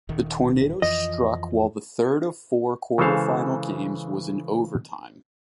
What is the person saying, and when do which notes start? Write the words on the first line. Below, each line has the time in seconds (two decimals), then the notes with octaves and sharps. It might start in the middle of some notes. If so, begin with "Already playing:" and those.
The tornado struck while the third of four quarterfinal games was in overtime.
0.09 D#1 D#3
0.82 F2 E3 F3 D#5
2.98 C#3 E3 G#3 A4 C5 F5